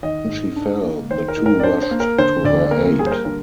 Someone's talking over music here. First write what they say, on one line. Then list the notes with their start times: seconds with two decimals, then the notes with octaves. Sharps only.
When she fell the two rushed to her aid.
0.03 D#3 D#5
0.29 G#2
0.56 D4
0.84 A#3
1.11 D#3 C5
1.28 A#4
1.37 G#2
1.46 A#4
1.60 D5
1.63 D4 C5
1.82 C5
1.91 A#3
2.00 A#4
2.18 D3 C5
2.45 D2 D5
2.71 A#3 A#4
2.85 A#4
2.99 G3 G#4
3.07 C5
3.11 A#4
3.25 D3 A#4